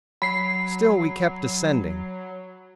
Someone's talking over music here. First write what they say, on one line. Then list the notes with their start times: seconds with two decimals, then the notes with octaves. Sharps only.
Still we kept descending.
0.22 F#3 B5 C7